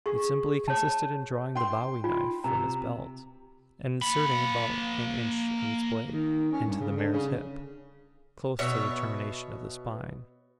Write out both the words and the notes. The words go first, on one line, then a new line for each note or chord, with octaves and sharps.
It simply consisted in drawing the bowie knife from his belt, and inserting about in inch of its blade into the mare's hip, close to the termination of the spine.
G#4 C#6
C#5 A5
G5 C6
F4
C3 A#5
A#3 B5
D#3
C#4
G2
C#3
D3
C#3
B2 C#5 E5